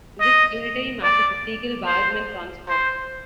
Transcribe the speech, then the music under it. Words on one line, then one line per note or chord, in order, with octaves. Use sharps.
This unitary map is the Segal-Bargmann transform.
D#5
D5
C5
C5